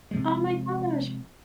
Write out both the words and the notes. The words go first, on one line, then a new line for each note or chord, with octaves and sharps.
Oh my gosh.
C3 F3 G#3